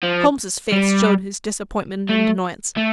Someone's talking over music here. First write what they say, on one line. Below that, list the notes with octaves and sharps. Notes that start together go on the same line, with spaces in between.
Holmes's face showed his disappointment and annoyance.
F3
G3
A3
A3